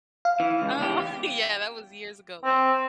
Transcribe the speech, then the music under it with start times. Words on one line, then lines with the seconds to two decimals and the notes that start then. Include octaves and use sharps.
Oh, yeah, that was years ago, though.
0.25 F5
0.40 E3
0.62 C#2
0.80 E2 G4
2.44 C4